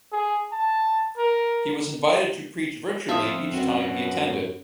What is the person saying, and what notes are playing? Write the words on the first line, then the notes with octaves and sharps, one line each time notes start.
He was invited to preach virtually each time he attended.
G#4
A5
A#4
F2 C5 E5 F5 A5 D#6
F#2 C4 F#4 B4